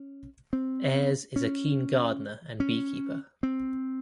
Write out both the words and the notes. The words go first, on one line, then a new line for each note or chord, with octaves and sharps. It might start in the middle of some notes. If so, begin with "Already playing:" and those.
Ayres is a keen gardener and beekeeper.
Already playing: C#4
C4
C#4
C#4
C4